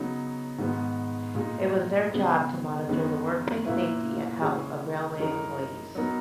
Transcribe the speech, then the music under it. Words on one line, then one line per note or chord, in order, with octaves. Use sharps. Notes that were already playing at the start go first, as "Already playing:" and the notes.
It was their job to monitor the workplace safety and health of railway employees.
Already playing: C#3 F#3 B3 D#4
G#2 D#3 G#3 B3 D#4
A#2 G#3 D#4
C#3 G#3 B3
F#2 D#3 G#3 B3 D#4
A#2 A#3 C#4 E4 B4
C#3 E3 G#3 C#4 G#4
F#2 E3 G#3 D#4 A#4
F#3 B3 D#4 A#4